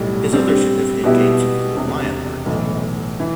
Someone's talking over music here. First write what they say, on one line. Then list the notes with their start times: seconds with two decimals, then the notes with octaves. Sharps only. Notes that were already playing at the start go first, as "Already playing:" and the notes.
His other significant games include "LionHeart" and more.
Already playing: B1 A2 G3
0.32 D3 G3 C4
1.04 B2 G3 B3 E4 G4
1.76 E1 D2 C3
2.46 B1 A2 E3
3.20 E3